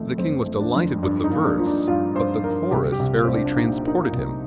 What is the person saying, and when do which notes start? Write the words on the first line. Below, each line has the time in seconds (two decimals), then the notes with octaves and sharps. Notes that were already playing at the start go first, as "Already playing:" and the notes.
The King was delighted with the verse; but the chorus fairly transported him.
Already playing: F2 D#3 A3
0.18 F2 C4
0.46 A3
0.61 D4
0.75 F2
1.03 G2 D4
1.24 D#4
1.31 A#3
1.45 D4
1.59 F3
1.66 D4
1.88 G2 F4
2.15 G2 C5
2.43 G2 A#4
2.71 C2 G4
2.92 G4
2.99 C2
3.14 F4
3.25 C2 C4
3.34 D4
3.46 D4
3.56 A#2 D#4
3.84 A#3 D#4
3.98 F4
4.12 C2